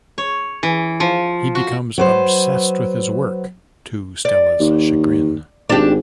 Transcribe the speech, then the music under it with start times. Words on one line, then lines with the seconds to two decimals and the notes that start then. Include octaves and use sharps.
He becomes obsessed with his work, to Stella's chagrin.
0.18 C#5
0.63 E3
1.00 F3
1.55 F#4
1.98 F#3 B4 C5
4.25 D5
4.60 D#2
5.69 G#1 D4 G4